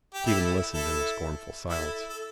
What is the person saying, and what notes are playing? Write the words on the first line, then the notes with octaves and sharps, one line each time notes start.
Stephen listened in scornful silence.
G4
E4 A4
E4 A4
E4 A4
A4